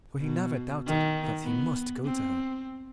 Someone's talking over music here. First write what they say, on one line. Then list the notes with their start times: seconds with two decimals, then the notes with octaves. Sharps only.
For he never doubted that he must go to her.
0.19 B2
0.87 D#3
1.44 B3
2.05 C4